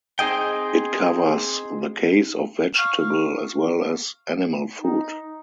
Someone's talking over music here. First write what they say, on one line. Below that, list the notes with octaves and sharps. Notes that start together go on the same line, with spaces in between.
It covers the case of vegetable as well as animal food.
C4 D#4 G#4 D#5 G5
F5 C#6 F6
D#4